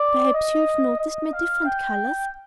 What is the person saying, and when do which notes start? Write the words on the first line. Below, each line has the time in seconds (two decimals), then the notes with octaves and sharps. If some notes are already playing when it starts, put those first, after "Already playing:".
Perhaps you've noticed my different colors.
Already playing: D5
0.34 D#5
1.00 D#5
1.33 F5
1.66 G5